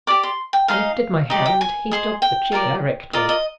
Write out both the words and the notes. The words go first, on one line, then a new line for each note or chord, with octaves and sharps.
I lifted my hand. He stopped the chair directly.
G4 D5 D6
C6
G5
D#4 G#4 D#5 F5
D#4 G4 D5 D#5
G5
G#5
G#4 C5 D#5
G5
F4 A#4 D5
F4 A#4 D5 D#5
D#5